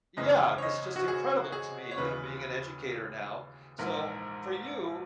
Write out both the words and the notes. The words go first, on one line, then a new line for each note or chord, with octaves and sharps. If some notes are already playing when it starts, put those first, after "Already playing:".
Yeah, that's just incredible to me, you know, being an educator now. So for you,
G#1 F#2 C#3 E3 D#5
C#5
D#5
F#4
G#4
G#4
C#5
D#2 C#3 E3 B4
A#1 G#2 E3 A#4